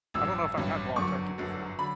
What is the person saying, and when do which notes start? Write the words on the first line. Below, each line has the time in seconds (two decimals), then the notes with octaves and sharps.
I don't know if I've had wild turkey before.
0.14 A1 G2 F#3 E6
0.55 A1 G2 F#3
0.96 G1 F#2 D3 F#3 C#6
1.38 G1 F#2 D3 F#3
1.79 D3 F#3 B5